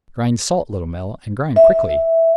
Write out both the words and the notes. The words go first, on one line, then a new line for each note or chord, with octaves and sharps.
"Grind salt, Little Mill, and grind quickly!"
E5